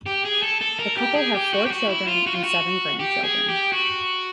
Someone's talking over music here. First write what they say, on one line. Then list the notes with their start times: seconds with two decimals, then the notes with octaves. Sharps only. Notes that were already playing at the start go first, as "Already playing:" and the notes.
The couple have four children and seven grandchildren.
0.06 G4
0.25 G#4
0.42 A4
0.61 A4
0.79 A#4
0.97 G4
1.16 G#4
1.35 G4
1.53 F#4
1.66 G4
1.71 F#4
1.89 E4
2.07 F4
2.26 F#4
2.35 F4
2.44 F#4
2.99 G4
3.24 G#4
3.49 G4
3.72 F#4